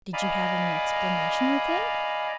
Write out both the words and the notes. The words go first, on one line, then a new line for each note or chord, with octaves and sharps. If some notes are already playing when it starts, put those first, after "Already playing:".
'Did you have any explanation with him?
D5 D#5 F5 G#5 A#5 B5